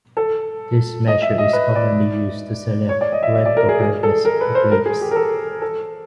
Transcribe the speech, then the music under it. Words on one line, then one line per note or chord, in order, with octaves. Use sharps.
This measure is commonly used to select when to harvest grapes.
A4
D#5
E5
D#5
B4
D5
C#5
D5
D#5
E5
E5
D5
A#4
G#4
G#4
A4
A#4
B4
C5
A#4
G#4
G4
A#4
A4
A4